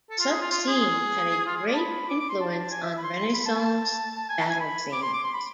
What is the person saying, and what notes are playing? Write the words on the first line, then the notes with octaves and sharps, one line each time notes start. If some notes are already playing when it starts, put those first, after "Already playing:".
Such scenes had a great influence on Renaissance battle scenes.
A4
F4
G#4
F4
F4
G#4
F4
G#4
D5
A5
B5
D6
D6
C6
A5
G#5
E5
E5
B5
C6
B5
A5
A5
G#5
A5
G#5
B5
D6
C6
D6
C6
B5